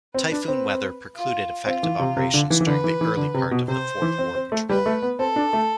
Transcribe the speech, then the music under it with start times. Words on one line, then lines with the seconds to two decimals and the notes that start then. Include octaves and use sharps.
Typhoon weather precluded effective operations during the early part of the fourth war patrol.
0.14 C4 B4
0.32 D4
0.48 C4
1.16 F4
1.65 C4 F4
1.83 E3
1.99 C3
2.17 C3
2.34 D3
2.50 E3
2.61 E3
2.67 D3 B4
2.84 E3
3.01 E3
3.17 D3
3.34 C3
3.51 B2
3.68 C3 C5
4.02 E3
4.19 C4
4.35 C4
4.52 A3
4.69 G3 B4
4.86 A3
5.02 B3
5.19 C4 A4
5.36 D4
5.53 A3